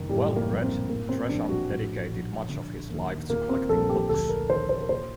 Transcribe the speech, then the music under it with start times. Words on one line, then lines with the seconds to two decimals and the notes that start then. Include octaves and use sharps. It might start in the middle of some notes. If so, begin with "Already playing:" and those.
Well-read, Tresham dedicated much of his life to collecting books.
Already playing: F#1 D#3
0.09 A2 G3
0.36 A#3
0.49 A#1
0.62 C4
0.89 A2 A#3
1.09 C4
1.29 A#1 D4
1.49 F#4
1.69 A2
2.09 A#1
2.49 D3
2.90 D#2
3.29 A#2 A#3
3.49 C4
3.69 A#1 A4
3.89 G4
4.09 D2 A4
4.29 A#4
4.49 D#3 C5
4.69 C5
4.81 A#4
4.89 A#2 C5